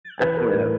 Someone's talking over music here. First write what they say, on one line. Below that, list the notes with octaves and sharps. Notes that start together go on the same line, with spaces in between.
I don't know.
E3 B4
A#4
A2 A#4